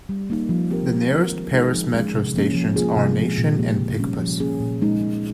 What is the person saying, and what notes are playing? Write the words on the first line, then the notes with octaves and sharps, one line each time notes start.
The nearest Paris metro stations are Nation and Picpus.
G3
A#3 D#4
F3
C4 G4 A#4
G#3
C4 F4 A#4
D#3
G#3 D#4 G#4
F3
G#3 C#4 G#4
C3
F3 A#3 C#4
F3
A#3 F4 G#4
C3
F3 G#3
A#2
F3 A#3 D#4 G4
C#3
G3 C#4
F3
A#3 C#4 G#4
A#2
G#3 D#4
G#3